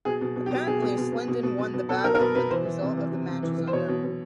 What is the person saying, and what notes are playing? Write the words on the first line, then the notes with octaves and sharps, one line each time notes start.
Apparently, Slindon won the battle but the result of the match is unknown.
B2 G#4
B2
B2
G4
B2
B2 G#4
B2
B2
B2
B2
B2
B2
B2
B2 A4
B2 A#4
A#4
B2 B4
B2 B4
E3 C5
E3
C3
E3
C3
C3
E3
E3
C5
B2 C#5
B2
B2